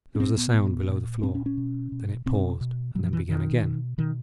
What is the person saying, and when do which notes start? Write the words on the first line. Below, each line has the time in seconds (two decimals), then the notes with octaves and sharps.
There was a sound below the floor; then it paused, and then began again.
0.15 C#4
0.20 A#2 C4
0.37 B3
0.54 A#2
0.89 A#2
1.23 A#2 C4
1.35 C#4
1.46 C#4
1.57 B2
1.92 B2
2.26 B2 C4
2.61 B2
2.95 B2 F#3
3.04 F3
3.13 E3
3.29 B2 D#3
3.64 B2
3.98 B2 D#3